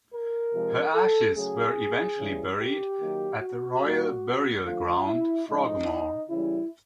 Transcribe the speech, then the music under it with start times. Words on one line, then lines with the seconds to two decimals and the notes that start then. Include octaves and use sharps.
Her ashes were eventually buried at the Royal Burial Ground, Frogmore.
0.12 A#4
0.53 C3 F3 G#3
0.94 A4
1.36 C#3 F#3 A3 G#4
2.18 C#3 E3 G3
2.59 G4
3.00 D#3 F#3 A#3
3.42 F#4
3.83 A#2 G3 A#3
4.65 D3 F3 A3 F4
5.06 E4
5.48 A2 F3 G#3 D#4
6.30 C#3 E3 G3 E4